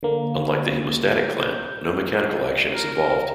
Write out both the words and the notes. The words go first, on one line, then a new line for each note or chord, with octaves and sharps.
Unlike the hemostatic clamp, no mechanical action is involved.
D3 A#3
G6
A#4